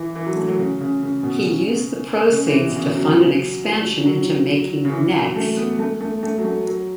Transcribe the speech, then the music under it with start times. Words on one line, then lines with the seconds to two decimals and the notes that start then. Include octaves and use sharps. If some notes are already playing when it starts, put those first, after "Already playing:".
He used the proceeds to fund an expansion into making necks.
Already playing: E3
0.16 E3
0.26 F#3
0.36 A3
0.48 F#3
0.59 C#3
0.81 C#3
1.02 C#3
1.23 B2
1.46 C#3
2.32 C#3
2.47 E3
2.61 E3
2.70 B2
2.76 C#3
2.97 F#3
4.05 F#3
4.85 C#3
4.92 E3
5.15 F#3
5.36 A3
5.57 B3
5.79 A3
6.01 A3
6.23 A3
6.38 F#3
6.45 A3
6.67 F#3